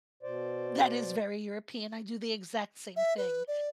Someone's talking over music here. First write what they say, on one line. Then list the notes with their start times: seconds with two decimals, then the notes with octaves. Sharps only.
That is very European, I do the exact same thing.
0.23 B2 C5 D5
2.96 E5
3.17 B4
3.48 D5